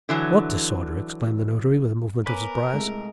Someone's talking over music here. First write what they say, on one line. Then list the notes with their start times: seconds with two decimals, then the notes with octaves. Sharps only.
"What disorder?" exclaimed the notary, with a movement of surprise.
0.09 D3 E3 F#3
2.26 B3 A#4 B4 C#5 G#5 D6
2.74 C2 G#3 A3